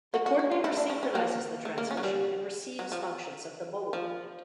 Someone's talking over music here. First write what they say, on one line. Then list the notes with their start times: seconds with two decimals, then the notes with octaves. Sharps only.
The coordinator synchronizes the transmission and receives functions of the mobile unit.
0.14 F#4
0.26 F#4
0.39 F#4
0.51 F4
0.64 E4
0.77 D4
0.90 C#4
1.03 C#4
1.15 A#3
1.65 A3
1.78 A#3
1.91 C#4
1.97 F#3
2.03 G3
2.79 F#3
2.92 F3
3.93 F3